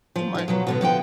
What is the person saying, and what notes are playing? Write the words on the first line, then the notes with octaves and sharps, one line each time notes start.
It might
F3
D3 F3
B2 F3 F#3
B2 D3 B3
D3 F3 B3 G5